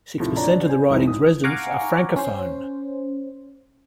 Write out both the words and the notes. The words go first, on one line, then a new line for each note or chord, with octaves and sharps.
Six per cent of the riding's residents are francophone.
D#2 A2 C3 F3
D4 F4 C#5 D5 A#5
C5 G#5
C2 F2 G#2 E3
D#6
F5 F#5 G#5 A#5 C#6 D6
C#4 C5